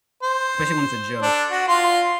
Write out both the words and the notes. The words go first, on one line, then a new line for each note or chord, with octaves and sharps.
especially when it's a joke.
C5
D4 A4
F#4
F4 C6